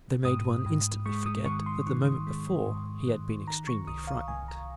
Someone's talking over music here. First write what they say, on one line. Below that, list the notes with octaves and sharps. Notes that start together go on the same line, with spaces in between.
They made one instantly forget that the moment before he had been extremely frightened.
G#2 D#6
G#2
G#3 C#6
D#6
D#3 C#6
C6
D#3 C#6
G#3
G#2
D#3
D#3 A#5
C#6
C2 D#6
F5
C2 G#5
A#5